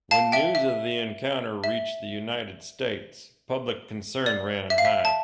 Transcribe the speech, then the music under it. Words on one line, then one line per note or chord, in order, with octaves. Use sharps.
When news of the encounter reached the United States, public concern ran high.
F5 A5
E5 G5
E5
E5
D5
E5
F5
E5
A5